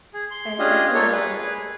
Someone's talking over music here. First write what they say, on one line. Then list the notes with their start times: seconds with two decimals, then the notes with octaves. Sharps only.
and it's, like you know,
0.14 G#4
0.31 C6
0.59 C#4 D4 F4 G4 G#4 D#5
0.94 A#3 F4 A4 C#5
1.12 G#4 B4